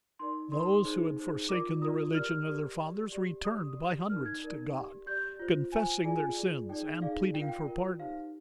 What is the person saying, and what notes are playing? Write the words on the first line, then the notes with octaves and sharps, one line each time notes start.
Those who had forsaken the religion of their fathers returned by hundreds to God, confessing their sins, and pleading for pardon.
D#4 A#4 D5 C6
D#4 A#4 D5 C6
D#4 G#4 C5
D#4 G#4 C5
F4 A#4 D5 D6
F4 A#4 D5 D#6
G4 A#4 D5 F6
G4 A#4 D5
G4 D5
G4 D5
G4 D5 D#6
G4 D5
D#4 A#4 D5 F6
G#6
D#4 A#4 D5
G4 D5
G4 D5 G6
F4 C5
F4 C5 G#5
F4 G#4 D5 G#5
F4 G#4 D5
D#4 G#4 D5 G5
D#4 G#4 D5 F5
F4 A#4 D5 G5
F5
G5
F4 A#4 D5
D#4 G4 C5 F5